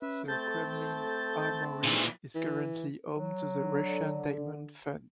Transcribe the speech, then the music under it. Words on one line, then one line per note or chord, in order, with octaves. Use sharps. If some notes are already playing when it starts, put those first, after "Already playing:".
The Kremlin Armoury is currently home to the Russian Diamond Fund.
C#4 B4 E5
A3 C4 A4 A5 G6 A6
A#2 E3 D4 D#4 G#4
E3
F#3
D3